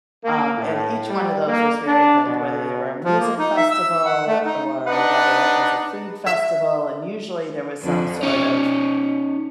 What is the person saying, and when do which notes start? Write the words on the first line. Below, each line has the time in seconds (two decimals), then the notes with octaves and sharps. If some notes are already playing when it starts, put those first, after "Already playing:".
Um, and each one of those was very good, whether they were a music festival or whether it was a food festival. And usually there was some sort of
0.23 A#3
0.57 A2
1.10 G3
1.46 A#3
1.87 D4
2.25 B2
3.02 F3
3.20 A#3
3.38 D#4
3.57 E5
3.71 E6
4.05 F#5
4.27 A3
4.45 D#4
4.87 D4 D#4 B4 F#5
6.26 E5
7.82 F2 D3 F3
8.23 B2 C#4 D#4